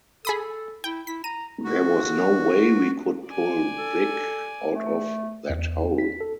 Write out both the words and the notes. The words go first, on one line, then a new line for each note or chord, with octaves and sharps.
There was no way we could pull Vik out of that hole.
G#4 A4 B5 D#6
E4 G5
E4 B6
A#5 D#7
F#4
D5 G#5
A4
A3
E2
B6
A4